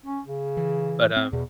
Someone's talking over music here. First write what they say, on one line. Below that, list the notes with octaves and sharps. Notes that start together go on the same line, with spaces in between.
But, um,
C#4
C#3
E3
C4
E2 B2